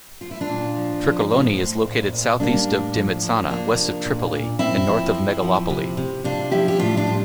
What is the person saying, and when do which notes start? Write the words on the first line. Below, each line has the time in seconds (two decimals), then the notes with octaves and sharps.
Trikolonoi is located southeast of Dimitsana, west of Tripoli and north of Megalopoli.
0.21 F3 F4
0.31 E4
0.41 D4 F4
0.49 A#2
0.76 F3
1.04 F3
1.31 A2 C4 E4
1.58 A2
1.86 A#2
2.13 A#2
2.40 G3 A#3 D4
2.68 A2
2.95 F3
3.22 F3
3.50 F3 A#3 D4
3.77 C3
4.05 A#2
4.33 A#2
4.59 A#2 C4 E4
4.87 F3
5.14 F3
5.42 F3
5.70 C3
5.97 C3
6.24 C3 D4 F4
6.51 F3 E4 G4
6.68 G4
6.79 A2 D4 F4
6.97 D4 F4
7.07 G3